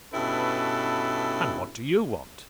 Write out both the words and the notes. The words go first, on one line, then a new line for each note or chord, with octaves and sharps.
And what do YOU want?
G2 B2 C#4 E4 A4 B4